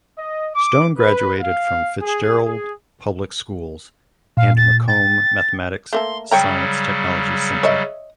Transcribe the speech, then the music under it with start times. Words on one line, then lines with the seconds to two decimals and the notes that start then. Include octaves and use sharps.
Stone graduated from Fitzgerald Public Schools and Macomb Mathematics Science Technology Center.
0.18 D#5
0.55 D6
0.98 B4
1.40 F5
2.02 G#4
2.45 G#4
4.37 A#2 F5
4.57 A6
4.88 G5 A6
5.93 A3 A#3 A4 C6
6.31 C#3 F#3 G3 C#5 G5 A#5
7.63 C#5 D#5 E5